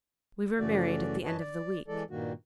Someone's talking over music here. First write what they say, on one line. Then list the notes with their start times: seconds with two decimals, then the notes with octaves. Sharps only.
We were married at the end of the week.
0.59 F#2 C#3 E3 A3 F#4 D5
1.24 F#2 E3 B4 C#5 D#5 A5
1.39 D5
1.88 E3 G#3 A4 D5
2.10 G2 A#2 D#3 G3 A#3 F#4